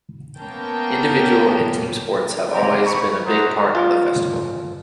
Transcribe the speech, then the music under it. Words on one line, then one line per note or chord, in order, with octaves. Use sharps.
Individual and team sports have always been a big part of the festival.
A#3 B3 C#4 A#4 G5 A5
A#3 C4 G4 C#5 A#5
B5 C#6
E4 A#4 C5 F#5 A#5 D#6
F4